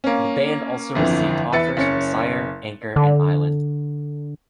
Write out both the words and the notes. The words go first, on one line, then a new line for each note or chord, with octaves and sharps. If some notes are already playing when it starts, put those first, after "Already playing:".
The band also received offers from Sire, Anchor and Island.
A#3 C#4
G1 F2 D3 E3
E2 B4 E5 A6 C#7
F#1 C#4 C#7
D3